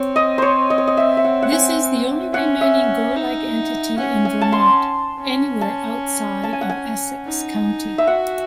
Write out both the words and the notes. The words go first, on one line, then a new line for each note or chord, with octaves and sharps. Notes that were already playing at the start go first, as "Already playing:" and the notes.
This is the only remaining gore-like entity in Vermont anywhere outside of Essex County.
Already playing: C4 C#5
D#5
C5 C#5
D#5
C#5
D#5
E5
E5
F#5
F#5
G#5
C#4 F#5
E5
D#4
C#4 F#5
G#5
A5
C6
C#4
A5
A5
G#5
F#5
G#5
D#4
E5
F#4 F#5